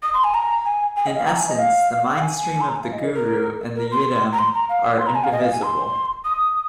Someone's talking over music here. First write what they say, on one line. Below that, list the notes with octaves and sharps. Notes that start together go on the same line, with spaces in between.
In essence, the mindstream of the guru and the yidam are indivisible.
D#6
C6
G#5
A#5
G#5
G#5
D#5
F5
A#5
G#5
D#5
F5
F5
G#5
C6
A#5
G#5
F5
D#5
A#4
A#4
A#4
C6
A#5
C6
A#5
F5
C6
A#5
G#5
F5
D#5
F5
G#5
C6
D#6